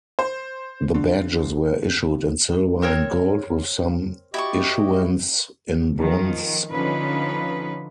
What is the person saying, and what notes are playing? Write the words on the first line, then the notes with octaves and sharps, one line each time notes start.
The badges were issued in Silver and Gold with some issuance in Bronze.
C5
D3
C4 A#4 C#5
E4 F#4 G4 D5 D#5 C#6
D#3 F3
D3 F3 C#4 D#4 B4